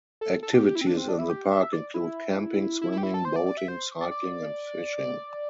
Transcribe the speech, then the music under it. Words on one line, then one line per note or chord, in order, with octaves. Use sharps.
Activities in the park include camping, swimming, boating, cycling and fishing.
A4
A4
G4
G4
E4
C4
D4
C4
D4
E4
G4
E5
E5
D5
E4
E4
E4
G4
E4
A4
C5
D5
D5
E5
C5
D5
D5
D5